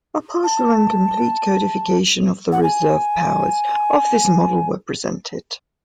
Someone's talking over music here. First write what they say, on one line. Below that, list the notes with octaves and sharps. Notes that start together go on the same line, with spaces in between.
A partial and complete codification of the reserve powers of this model were presented.
A5
F#5
G#5